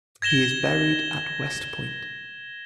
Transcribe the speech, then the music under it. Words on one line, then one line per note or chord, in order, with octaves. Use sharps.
He is buried at West Point.
G#6 A#6 E7 G7